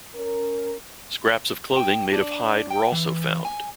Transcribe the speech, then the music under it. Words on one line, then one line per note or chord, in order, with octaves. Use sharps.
Scraps of clothing made of hide were also found.
C#4 A#4
G5
D4
G5
E3
G#5